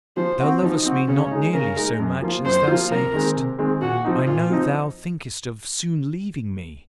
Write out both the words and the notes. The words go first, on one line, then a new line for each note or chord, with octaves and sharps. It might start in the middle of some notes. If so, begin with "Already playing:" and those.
Thou lovest me not nearly so much as thou sayest; I know thou thinkest of soon leaving me.
F3 C5
C4 F#4
F3 D#4
C4 F#4
C#3 C#4
G#3 D#4
C#3 A#4
G#3 D#4
F#2
F3 A#3 F4
F#2 C5
F3 A#3 F4
C3 A#4
D#3 G#3 C4
C3
D#3 G#3 C4
A#2 F#4
F3 C4 D#4
A#2 F4
F3 C4 D#4